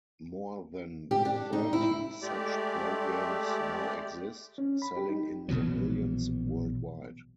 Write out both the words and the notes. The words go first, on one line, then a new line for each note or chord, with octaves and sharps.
More than thirty such programs now exist, selling in the millions worldwide.
G4
D4
D#4
E4
G#3 A3 G4 D5
C#4
B5
G4
D#4
A#1 B2 E3 F#3